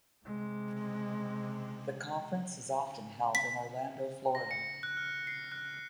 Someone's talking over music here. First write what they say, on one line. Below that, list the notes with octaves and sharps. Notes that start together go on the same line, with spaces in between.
The conference is often held in Orlando, Florida.
C3 G#3
B6
A#6
C#7
F#6
F6
C7
F#6